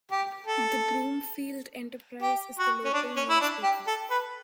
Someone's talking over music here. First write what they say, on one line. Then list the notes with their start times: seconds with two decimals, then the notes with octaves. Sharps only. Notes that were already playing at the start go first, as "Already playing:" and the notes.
The "Broomfield Enterprise" is the local newspaper.
0.12 G4
0.47 A4
2.22 G4
2.58 F#4
2.85 C#4
2.93 D4
3.16 C#4
3.29 E4
3.41 D4
3.63 G4
3.87 A4
4.11 B4